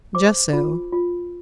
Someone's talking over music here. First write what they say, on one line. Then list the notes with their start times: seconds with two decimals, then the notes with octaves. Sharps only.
"Just so."
0.15 C5 D6
0.53 F4
0.93 F4